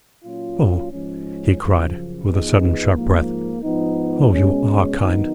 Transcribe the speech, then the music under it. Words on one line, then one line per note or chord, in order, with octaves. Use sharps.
Oh," he cried, with a sudden sharp breath, "oh, you ARE kind.
A#2 F#3 C#4 F4
G#2 F3 G#3 C#4
F#2 C#3 F3
F3 B3 D#4 G#4 B4
G#2 F3 A#3
G#2 F3 B3 D#4
B2 G#3 C#4
D#3 F#3 B3 D#4